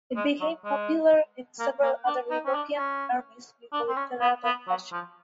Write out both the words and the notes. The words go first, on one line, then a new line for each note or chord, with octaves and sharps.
It became popular in several other European armies before it fell out of fashion.
G#3
F#3
G#3
A#3
A#3
D4
D#4
C#4
D4
C#4
D4
C4
C#4
B3
B3
F#3
F3